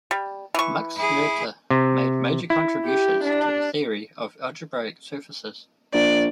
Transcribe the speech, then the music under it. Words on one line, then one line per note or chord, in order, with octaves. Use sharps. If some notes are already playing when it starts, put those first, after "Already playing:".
Max Noether made major contributions to the theory of algebraic surfaces.
G3
E3 C#6
E4 G#4
C3
E4
G4
D4
A#1 D5